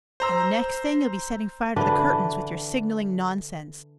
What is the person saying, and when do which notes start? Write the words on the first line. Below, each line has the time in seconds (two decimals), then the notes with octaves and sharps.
"And the next thing you'll be setting fire to the curtains with your signaling nonsense."
0.20 C5 A#5 E6
1.76 D3 E3 D4 B4